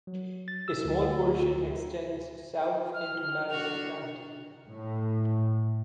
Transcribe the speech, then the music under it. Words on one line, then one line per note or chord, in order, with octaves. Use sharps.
A small portion extends south into Madison County.
F#3
A6
E6
D2
F6
D4 F#4 A4 F7
A2